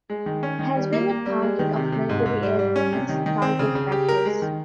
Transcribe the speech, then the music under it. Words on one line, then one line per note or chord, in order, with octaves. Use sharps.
It has been the target of military airplanes' target practice.
G#3
D#3
C#4
D#3
G3
A#3
A#3
G3
G#3
D#3
C3
C3
G#2
G#2
G3
G3
C#4
C3
D#3
D#3
C4
C#3
C#3
G4
A#4
G#3
D#3